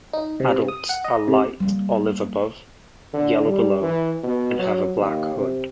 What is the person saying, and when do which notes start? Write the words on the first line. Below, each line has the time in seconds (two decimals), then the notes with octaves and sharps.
Adults are light olive above, yellow below and have a black hood.
0.13 D#4
0.40 C3
0.68 D#6
0.89 F#5
1.04 D#5
1.28 C3
1.60 G3 A#3
3.13 D3
3.47 G3
3.82 E3
4.23 B2
4.59 F#3
4.99 D#2
5.36 C3